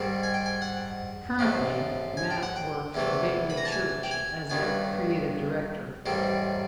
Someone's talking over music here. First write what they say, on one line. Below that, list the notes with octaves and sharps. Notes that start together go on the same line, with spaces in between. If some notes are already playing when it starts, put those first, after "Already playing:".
Currently, Matt works for Gateway Church as their Creative Director.
Already playing: G#2 D#3 G3 C4
G#5
G5
G#5
F#5
A1 G#2 F3 A3 C4
G#5
G5
F#5
G5
E2 C3 E3 A3
B5
A#5
A5
G#5
G5
G#5
G2 D#3 F#3 B3 G#5
A1 G#2 D#3 G3 C4